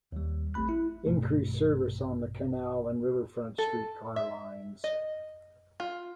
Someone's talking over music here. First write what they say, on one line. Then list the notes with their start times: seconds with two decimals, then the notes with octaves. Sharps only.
Increase service on the Canal and Riverfront streetcar lines.
0.12 D#2 G3
0.54 A1 A3 C4 B5 F#6
0.69 E4
1.06 A#1 G2 B2 A3
3.58 A4
4.16 E5
4.84 D#5
5.80 F4